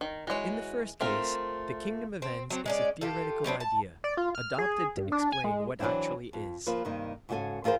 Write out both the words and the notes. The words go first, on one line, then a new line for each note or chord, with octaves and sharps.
In the first case, the kingdom of ends is a theoretical idea, adopted to explain what actually is.
D#3
E3 G#3 F#4 C#5
A3 C4 F4 A#4
C4
F#3 C4
G#3 C#4 D5
F4 G4 A4
F#3 B3 C4 D4
A5
D5
F4
F6
G#4
G2
D4
G#5
G#3
E3 F#3 C4 D4 E4
F2
F3 A#3 F4 B4
G2 C3 D#3 A#3 D#4
G#2 C#3 F#4 G4 A4 G#5
E2 F4 G#4 A#4 C5